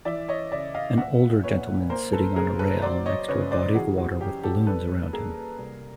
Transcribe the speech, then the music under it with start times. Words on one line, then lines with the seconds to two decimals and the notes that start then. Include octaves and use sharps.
An older gentleman sitting on a rail next to a body of water with balloons around him.
0.05 E3 D5 E5
0.28 C#5 D#5
0.52 C#3 D5 E5
0.74 D#5 F5
0.97 A#2 E5 F#5
1.44 A#2 B4 C#5
1.90 A#3 A#4 C5
2.13 A4 B4
2.36 C#3 G#4 A#4
2.59 A4 B4
2.82 F#3 C5 D5
3.06 C#5 D#5
3.28 C#3 B4 C#5
3.51 C5 D5
3.75 E3 F#4 G#4
3.98 F#4
4.21 F#2 G4
4.44 G4 A4
4.67 G3 A4 B4
5.13 A#3 G#4 A#4
5.58 C2